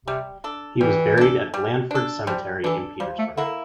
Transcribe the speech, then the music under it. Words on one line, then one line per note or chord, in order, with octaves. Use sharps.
He was buried at Blandford Cemetery in Petersburg.
C3 G3
D4 A4
E3 G3
D4 A4
G3
D4 A4
F3 G3
E3 D4 A4
F3 G3
A3
D3 A#3 E4